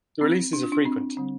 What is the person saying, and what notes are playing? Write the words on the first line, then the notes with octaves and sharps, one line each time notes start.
The releases are frequent.
C4
D4
F4
D4
C4
D3 G3 C4